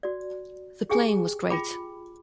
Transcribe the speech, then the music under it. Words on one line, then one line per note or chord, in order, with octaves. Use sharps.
The playing was great.
F#4 D5
G4 G#4 G5 G#5
F4 G5 B5 D6